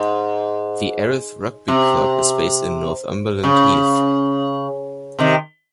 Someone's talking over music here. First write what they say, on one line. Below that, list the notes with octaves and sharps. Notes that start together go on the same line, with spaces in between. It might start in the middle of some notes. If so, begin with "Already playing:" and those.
The Erith Rugby Club is based in Northumberland Heath.
Already playing: G#2
C3
C#3
C3 D#3